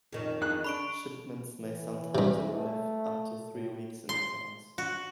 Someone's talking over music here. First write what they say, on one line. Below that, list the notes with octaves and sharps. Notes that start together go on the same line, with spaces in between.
Shipments may sometimes arrive up to three weeks in advance.
F2 D#3 C#4
D4 D#4 G#4 F#6
D4 B5 C#6 D7
E3
G2 C3
A3
A2
C6
F#4